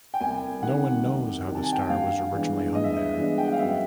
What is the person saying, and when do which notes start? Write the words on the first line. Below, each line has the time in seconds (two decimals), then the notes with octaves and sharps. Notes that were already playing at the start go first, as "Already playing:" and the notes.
No one knows how the star was originally hung there.
0.14 G5
0.21 C2 G#5
0.62 C3 D#3 G3 F#5
1.05 C2
1.47 C3 D#3 G3
1.55 A5
1.64 G#5
1.73 G5
1.81 F#5
1.89 G2 F5
2.32 E3 G#3 B3 D4
2.75 G2 D#5
2.84 E5
2.94 D#5
3.17 E3 G#3 B3 D4
3.38 G5
3.45 F#5
3.52 F5
3.59 F#2 E5